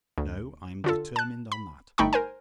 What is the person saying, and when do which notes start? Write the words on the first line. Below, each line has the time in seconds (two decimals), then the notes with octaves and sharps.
No: I'm determined on that.
0.18 D2
0.84 D3 F4 A4
1.16 A5 F#6
1.52 B5
1.98 G1 A3 D#4 G5 B5 C#6
2.13 A#4 C5 G#5